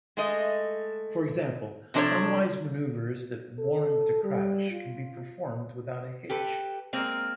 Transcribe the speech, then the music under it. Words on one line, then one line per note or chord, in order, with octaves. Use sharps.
For example, unwise maneuvres that warrant a crash can be performed without a hitch.
G#3 A3 D#5
C3 F3 D4 A4 C5 C#5
A4
G3
F4
G4 A4 B4
G#3 A#3 C4 A#4